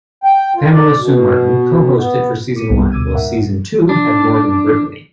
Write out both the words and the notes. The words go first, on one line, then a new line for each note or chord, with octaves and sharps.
Pamela Sue Martin co-hosted for Season One, while Season Two had Morgan Brittany.
G5
F4
D5
B2
B3
D6 B6 C#7 D#7
C2 G3 A#3 B3
D2 B2 D6 E6 G#6 D#7
G#2 A#4 E5 F#5
D4